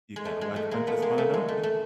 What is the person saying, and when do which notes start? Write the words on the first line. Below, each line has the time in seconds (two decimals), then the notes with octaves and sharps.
You gotta watch Princess Mononoke.
0.16 G#3
0.25 A3
0.41 G#3
0.56 A3
0.71 G#3 A#3
0.87 A3 B3
1.02 G#3 A#3
1.18 A3
1.34 G#3
1.48 A3
1.63 A3